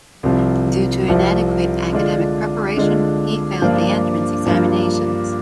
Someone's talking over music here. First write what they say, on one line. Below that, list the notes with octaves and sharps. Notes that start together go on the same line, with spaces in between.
Due to inadequate academic preparation, he failed the entrance examinations.
C2 C3 F3
C2 C3 F3
D3 G#3 D4 F4
D3 G#3 D4 F4
G2 F3 A#3 D4 F4
G2 F3 A#3 D4 F4